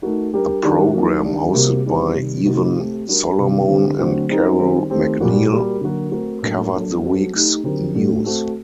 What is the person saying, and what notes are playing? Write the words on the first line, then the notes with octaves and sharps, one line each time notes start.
The program, hosted by Evan Solomon and Carole MacNeil, covered the week's news.
A3 D#4 F#4 A#4
G3 D4 G4 A#4
D#3 G3 D4 F#4 A#4
F#3 A#3 D#4
D#3 G3 D4
C3 G3 A#3 F#4
D#3 G3 C4
C3 D#3 G3
C3 D#3 A3 D#4 F#4
A3 C4 G4
G3 D4 F#4 A#4
C3 D#3 F#3 C4
D3 G3 C4 G4
D3 F#3 A3 C4 F#4
G3 C4 D#4 G4 A#4
D#3 G3 C4
D#3 A3 C4 G4
A#2 G3 A#3 F#4
G3 A#3 F#4 A#4
D3 F#3 A#3 F#4 A#4
A3 C4 F#4 A#4
A2 F#3 A#3 D4 A4
F#3 A#3 D4 A4
F#3 C4 F#4 A4
A3 D#4 G4
D3 F#3 C4 G4 A#4
A2 A3 D4 F#4 A4
A3 C4 F#4 A4